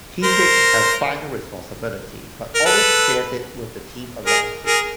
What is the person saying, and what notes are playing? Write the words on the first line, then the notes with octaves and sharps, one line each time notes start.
Hiddink has final responsibility, but always shares it with the team around him.
A#4 C5
A#4
A4 B4
G#4 A#4
G#4 A#4